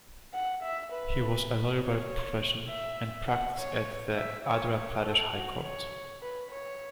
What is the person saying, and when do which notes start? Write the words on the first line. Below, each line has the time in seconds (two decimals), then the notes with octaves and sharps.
He was a lawyer by profession and practised at the Andhra Pradesh High Court.
0.34 F#5
0.63 E5
0.93 B4
1.81 C#5
2.69 E5
3.28 F#5
3.57 C#5
4.16 E5
4.45 C#5
4.75 C#5
5.04 A4
5.33 F#4
5.63 C#5
6.22 B4
6.51 C#5